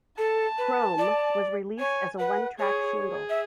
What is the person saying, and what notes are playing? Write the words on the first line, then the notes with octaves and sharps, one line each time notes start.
"Chrome" was released as a one-track single.
A4 A5
B4
D5
C#5 G#5
B4 F#5
G#4 C#5
G#4
E5